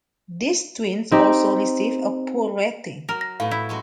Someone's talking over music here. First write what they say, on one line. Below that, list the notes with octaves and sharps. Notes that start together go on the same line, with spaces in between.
These twins also received a "poor" rating.
C4 D#4 G4
F#3 A#4
A#6
A2 A3 B3 F5
E4
F#3 G#3 C#4